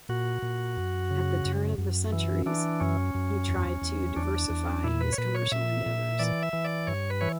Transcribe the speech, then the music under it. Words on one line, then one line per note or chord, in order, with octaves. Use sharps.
At the turn of the centuries he tried to diversify his commercial endeavors.
A#2 F#4
A#2
F#2
C#3
F#2
F#2
E3
E3 D4
F#2 C#4
F#2
E2
E2
E2 D4
E2
A#2 E4
B4
C#5
A#2 B4
C#5
A#2 E5
A#2
E3 D5
E5
E3
D5
G2 C#5
B4
E3 C#5